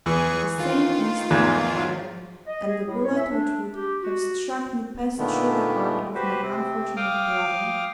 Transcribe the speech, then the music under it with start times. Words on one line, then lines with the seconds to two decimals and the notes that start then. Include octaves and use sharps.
At the same instant he fired, and the bullet which would have struck me passed through the heart of my unfortunate brother.
0.06 E2 E3 G#4 C#6
0.58 D#3 F4
1.30 E2 G#2
2.46 D#5
2.66 G#4
2.87 A2
3.03 C#5
3.16 E5
3.29 D4
3.74 G4
4.02 F#4
5.18 A#2 D3 D#3 G#3 A3 B3
6.15 F#4 G4 B4 C5
6.42 C3 C4
6.96 F5 G5 D6 D#6 F6